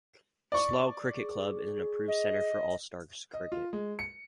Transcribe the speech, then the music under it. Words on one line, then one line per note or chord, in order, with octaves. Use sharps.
Slough Cricket club is an approved center for All Stars Cricket.
D5 C#6
G#4
D#5
D#5
F4
G#3
C#7